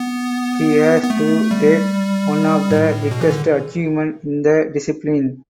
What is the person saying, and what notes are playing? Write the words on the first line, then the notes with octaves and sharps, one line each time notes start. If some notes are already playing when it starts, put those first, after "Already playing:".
He has to date one of the biggest achievements in the discipline.
Already playing: B3
B3
A3
G3
A2
B2
E3
D3